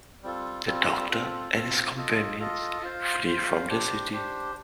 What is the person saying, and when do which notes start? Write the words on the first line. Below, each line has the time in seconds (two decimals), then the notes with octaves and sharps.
The Doctor and his companions flee from the city.
0.23 G3 C4 F4 A4
0.66 G3 C4 F4 A4
1.09 C4 F4 A4
1.53 C4 F4 A4
1.96 F4 A4 D#5
2.39 F4 A4 D#5
2.82 F4 C5 F5
3.25 F4 C5 F5
3.69 D4 G4 C5
4.12 D4 G4 C5